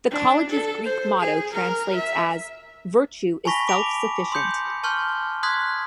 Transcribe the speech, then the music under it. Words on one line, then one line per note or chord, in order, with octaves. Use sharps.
The college's Greek motto translates as "virtue is self-sufficient".
D4
A4
C5
G#4
A#4
E5
G#5 A5 B5 C#6 A#6 B6
D6 A#6 D7 F7
C6 D#6 G6 C#7
A5 C6 C#6 F6 G6
C6 D#6 F#6 G#6 B6